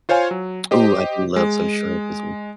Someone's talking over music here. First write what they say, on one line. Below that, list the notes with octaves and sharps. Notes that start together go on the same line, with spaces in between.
Ooh, I do love some shrimp with some
F4 C5 C#5 F5 G#5
F#3
G4 C5 D#5
G#3